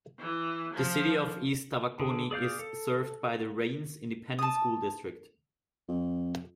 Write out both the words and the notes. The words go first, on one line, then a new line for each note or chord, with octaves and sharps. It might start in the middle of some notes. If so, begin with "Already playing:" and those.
The City of East Tawakoni is served by the Rains Independent School District.
E3
F3
D3 G#4
G#4 D5 F5 G6
A4
A5 D#6
F2